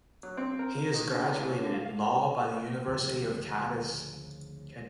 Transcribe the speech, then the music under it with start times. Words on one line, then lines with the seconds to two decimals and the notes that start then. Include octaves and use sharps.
He is graduated in law by the University of Cadiz.
0.23 F#3
0.37 C4
0.59 A#4
0.78 A#4
0.94 D#3
1.07 D3
1.22 E2
1.37 A1
1.49 C#4
1.61 D3
1.74 F5
1.86 F5
2.87 D2 A2 C#3 F3